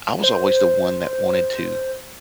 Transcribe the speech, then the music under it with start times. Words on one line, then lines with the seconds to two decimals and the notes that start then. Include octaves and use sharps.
I was always the one that wanted to
0.24 C5